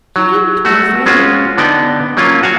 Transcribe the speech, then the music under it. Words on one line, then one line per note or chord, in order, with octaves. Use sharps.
You needn't be afraid.
F#3
A3 F#4
G#3 C#4 F4 F#4
D3 B3 D#4 D5 G5
F#3 A#3 C#4 F4
F#4 F5 G#5